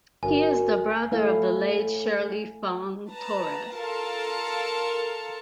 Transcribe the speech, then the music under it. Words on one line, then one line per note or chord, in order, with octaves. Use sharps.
He is the brother of the late Shirley Fong-Torres.
G1 F#2 G#5
A2 A3 E4 F5
B4 A5 A#5
F4 A4 A#4 F5 A5 C#7